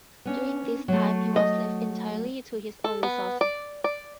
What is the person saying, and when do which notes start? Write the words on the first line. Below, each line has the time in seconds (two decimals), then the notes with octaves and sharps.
During this time he was left entirely to his own resources.
0.25 B3 C#4 D4
0.88 F#3 A3
1.36 D#5
2.84 A4
3.03 B3
3.41 D5
3.84 D5